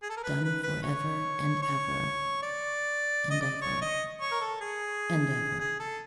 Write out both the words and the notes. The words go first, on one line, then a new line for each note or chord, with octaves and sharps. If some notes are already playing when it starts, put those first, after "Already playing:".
"Done for ever and ever... and ever... and ever."
G#4
A4
A#4
B4
B4
B4
C#5
C#5
D5
D#5
D5
C#5
D#5
C#5
A#4
A4
G#4
G#4
A4